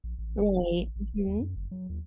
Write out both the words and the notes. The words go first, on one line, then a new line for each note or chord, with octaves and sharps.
Right. Mhm.
A#1
A1
F#1
E1
A1
A1
D1
D#2
F#2
G1
F#3
D#2